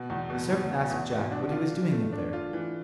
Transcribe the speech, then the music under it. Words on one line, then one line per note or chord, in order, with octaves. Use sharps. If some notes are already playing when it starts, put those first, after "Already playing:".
The servant asked Jack what he was doing up there.
Already playing: B2
E2
B2
E2
B2
E2
B2
D4
F4
E3
A3
D4
F4
E3